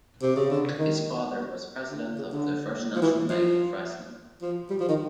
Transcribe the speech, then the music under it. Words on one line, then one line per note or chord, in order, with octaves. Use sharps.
His father was president of the first national bank in Fresno.
C3
C#3
D3
D#3
D3
C#3
D3
F3
E3
F3
F3
G3
F3
D#3